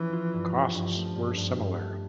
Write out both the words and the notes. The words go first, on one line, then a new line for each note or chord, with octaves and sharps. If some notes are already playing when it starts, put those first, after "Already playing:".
Costs were similar.
Already playing: E3 F3 C#4
F4
G2
C#4
G2 F3
A3
G2
G2
G2
A3